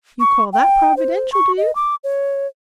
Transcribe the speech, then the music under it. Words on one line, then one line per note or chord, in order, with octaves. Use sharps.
You call that providential, do you?
C#6
G5
C5
C#6
D#5
D6
C#5